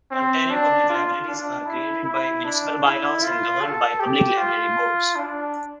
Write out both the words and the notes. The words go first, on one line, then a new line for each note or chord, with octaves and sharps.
Ontario public libraries are created by municipal by-laws and governed by public library boards.
C4
D4
F4
D4
E4
E4
D4
E4
F4
A4
G4
F4
D4